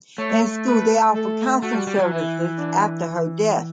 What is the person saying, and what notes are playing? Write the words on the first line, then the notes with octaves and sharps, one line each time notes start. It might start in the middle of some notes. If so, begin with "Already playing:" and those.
In school they offered counseling services after her death.
A3 C#5
B4
A4
A3 F#4
G3
G3
F#3
E3 E4
D4